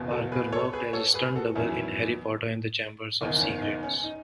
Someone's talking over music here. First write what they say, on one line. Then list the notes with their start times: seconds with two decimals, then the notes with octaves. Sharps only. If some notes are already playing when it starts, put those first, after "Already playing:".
Parker worked as a stunt double in "Harry Potter and the Chamber of Secrets".
Already playing: F#1 E2 B2
0.11 F#4 A4
0.32 G#4 B4
0.52 A4 C#5
0.73 G#4 B4
0.93 A4 C#5
1.14 G#4 B4
1.35 F#4 A4
1.55 E2 D#3 F#3 C#4 E4
3.21 F#1 E2 D#3 D#4
3.41 C#4
3.62 D#4
3.83 C#4
4.04 D#4